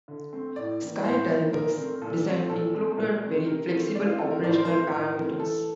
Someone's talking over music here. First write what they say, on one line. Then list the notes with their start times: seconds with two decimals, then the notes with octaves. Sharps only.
Skydiver's design included very flexible operational parameters.
0.08 D3
0.33 A3 C4
0.56 A2 D5
0.81 E3 A#3
1.05 A2 C5
1.29 E3 A#3
1.53 A#2 A#4
1.78 A3 C4
2.02 A#2 A4
2.26 A3 C4
2.49 A#2 A4
2.75 A3 C4
2.98 A#2
3.22 A3 C4
3.46 C3 A#4
3.70 E3 A3 C4
3.95 C3 D5
4.06 F4
4.18 E3 A3 C4 A4
4.31 A#4
4.44 A2 D5
4.51 C5
4.58 A#4
4.65 E3 A3 C4 C5
4.91 A2 A#4
5.16 E3 A3 C4
5.39 E3 A4